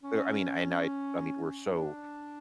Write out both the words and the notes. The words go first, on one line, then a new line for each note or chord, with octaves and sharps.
There I mean, and I I mean, we're so
C#4
D4